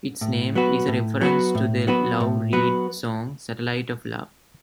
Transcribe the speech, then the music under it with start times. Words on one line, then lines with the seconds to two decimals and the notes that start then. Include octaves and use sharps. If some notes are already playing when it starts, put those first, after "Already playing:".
Its name is a reference to the Lou Reed song, "Satellite of Love".
0.21 A2
0.55 F#3 B3 F#4 B4
0.88 A2
1.21 F#3 B3 F#4 B4
1.55 A2
1.87 F#3 B3 F#4 B4
2.20 A2
2.53 F#3 B3 F#4 B4